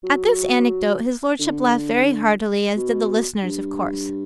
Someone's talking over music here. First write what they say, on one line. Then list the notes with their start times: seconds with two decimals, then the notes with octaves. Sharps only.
At this anecdote his Lordship laughed very heartily, as did the listeners, of course.
0.03 F#3
1.39 D3
2.76 B2
3.43 G2